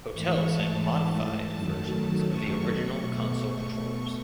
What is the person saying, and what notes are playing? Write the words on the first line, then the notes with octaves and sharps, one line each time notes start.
Hotels had modified versions of the original console controllers.
G#2 E3 A3 C#6
A5
F#2 D#3 F#3 A3
C#6
B2 A3
C#6